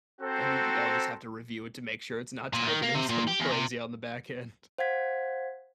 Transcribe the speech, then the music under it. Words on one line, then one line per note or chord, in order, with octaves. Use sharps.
Then you'd y'all just have to review it to make sure it's not typing in some crazy on the back end.
C4 F#4 A4 C5 G5 A#5
A#2
D#3
A#3
C3
A#2
G4
E2
C3
C5 F5 F#5 G#6 B6